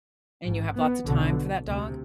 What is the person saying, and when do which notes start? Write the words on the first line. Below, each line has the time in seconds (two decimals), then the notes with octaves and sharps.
And you have lots of time for that dog?
0.44 A1 G#2
0.75 B3
1.05 B1 B2 D3
1.66 D2 C3